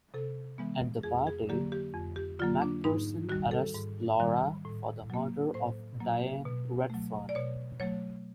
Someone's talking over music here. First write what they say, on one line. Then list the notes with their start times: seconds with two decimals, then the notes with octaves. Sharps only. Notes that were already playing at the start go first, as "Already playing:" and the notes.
At the party, McPherson arrests Laura for the murder of Diane Redfern.
0.14 C3 A4
0.58 E3 G#3 B3
1.03 F2 G#4
1.27 G#4
1.49 D3 F#3 A#3 G4
1.72 G4
1.94 F2
2.16 G4
2.40 D3 F#3 A#3 F4
2.62 D4
2.84 G#2 D#4
3.29 D#3 G3 F#4
3.51 A4
3.74 G#2
4.20 D#3 G3
4.65 A2
5.10 F#3 A#3
5.54 A2 C5
6.00 F#3 A#3
6.45 B2
6.90 F#3 A3
7.29 D5
7.35 B2 C#5
7.80 F#3 A3 C#5